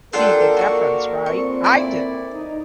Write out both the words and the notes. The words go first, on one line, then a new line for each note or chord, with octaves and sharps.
see the difference, right? I didn't.
A#3 D4 F4 G4 A4 A#4 F#5
F#4 D5 C#6
A#2 C4 C#6
E4 D5
D#4